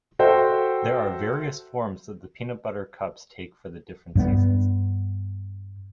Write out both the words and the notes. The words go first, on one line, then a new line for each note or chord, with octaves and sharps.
There are various forms that the peanut butter cups take for the different seasons.
F#4 A4 C5 E5 G5
G2 G3 B3